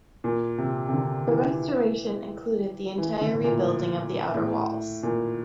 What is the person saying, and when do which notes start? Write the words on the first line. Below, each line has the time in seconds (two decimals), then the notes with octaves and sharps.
The restoration included the entire rebuilding of the outer walls.
0.24 A#2
0.58 C3
0.89 C3
0.93 D3
1.27 E3
2.98 E3
3.21 D3
3.34 A2
3.44 A#2
4.34 A2
5.03 A#2